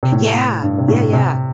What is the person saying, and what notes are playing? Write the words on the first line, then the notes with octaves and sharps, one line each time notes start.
Yeah! Yeah, yeah.
C3
A2
G2
C3
A2
C3